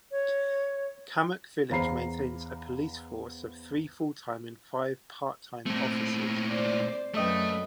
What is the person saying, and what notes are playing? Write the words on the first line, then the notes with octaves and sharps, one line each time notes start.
Cammack Village maintains a police force of three full-time and five part-time officers.
C#5
E2 C5 F5 A#5 B5 C7
A#2 A3 C4
C5 D5
F#2 A3 A4 B4 D#5 G5